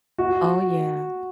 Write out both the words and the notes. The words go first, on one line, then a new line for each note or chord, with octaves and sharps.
Oh, yeah.
F#4